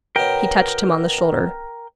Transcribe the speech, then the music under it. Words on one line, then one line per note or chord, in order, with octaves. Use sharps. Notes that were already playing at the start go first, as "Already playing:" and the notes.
He touched him on the shoulder.
B2 B3 C#4 A#4 G5